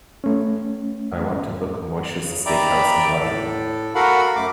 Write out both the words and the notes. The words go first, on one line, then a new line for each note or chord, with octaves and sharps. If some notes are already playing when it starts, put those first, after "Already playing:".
I want to book Moishes Steakhouse in Lucky.
A3 C#4
C#3
D5 E5 G5 A#5 B5 D6
A2 A4
F#4 A4 A#4 F5 F#5 B5
F#2 A3 D6